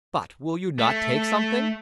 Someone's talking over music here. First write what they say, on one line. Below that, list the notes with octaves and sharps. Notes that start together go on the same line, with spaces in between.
But will you not take something?
A3